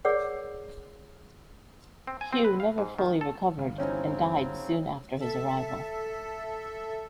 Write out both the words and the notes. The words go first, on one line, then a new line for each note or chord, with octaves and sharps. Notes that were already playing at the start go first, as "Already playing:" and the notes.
Hugh never fully recovered, and died soon after his arrival.
G#4 A#4 C#5 D5 F#5
C4
G#5
C4
B4
F5
G#2
D#3
A4
G1 F5
C#3 E3 F#3 C4 C#4 D#4 C5 C#5
A4 E5